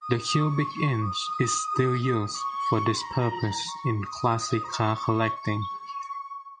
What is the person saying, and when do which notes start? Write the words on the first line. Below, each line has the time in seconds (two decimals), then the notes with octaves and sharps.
The cubic inch is still used for this purpose in classic car collecting.
0.02 D#6
0.35 C#6
1.02 D#6
2.35 C#6
3.01 A#5
3.68 C#6
4.02 D#6
4.64 A#5
4.69 C#6
5.35 C#6